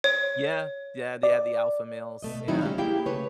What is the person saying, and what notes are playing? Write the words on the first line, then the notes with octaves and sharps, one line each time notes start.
Yeah. Yeah, they have the alpha males. Yeah.
C#5
D5
B2 A3 D#5
D#3 E3 F#3 C4 D#4 E4
G3 G#3 C#4 F5
A#3 E4 G4 G#4 F5 G5
C#3 A3 G#4 B4 C#5